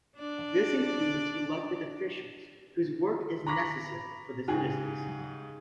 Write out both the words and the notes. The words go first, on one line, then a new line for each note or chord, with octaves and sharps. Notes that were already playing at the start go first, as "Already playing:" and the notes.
This includes elected officials whose work is necessary for the citizens.
D4 D5
A#5 B5 C#6 D6 A#6 B6
G#2 C#3 G4 G#4